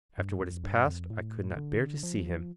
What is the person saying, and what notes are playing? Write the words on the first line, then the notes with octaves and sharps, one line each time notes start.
After what has passed, I could not bear to see him.
G2
F2
G2
F2
A2
D3
F3